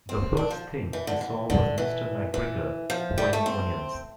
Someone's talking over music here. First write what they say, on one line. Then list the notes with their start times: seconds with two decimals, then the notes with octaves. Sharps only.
The first thing he saw was Mr McGregor hoeing onions.
0.09 C4
0.37 D4
0.51 F3
0.93 E3
1.07 D3
1.21 E3
1.50 D3
1.78 E3
2.34 E3
2.90 F3
3.18 G3
3.33 A3
3.46 C4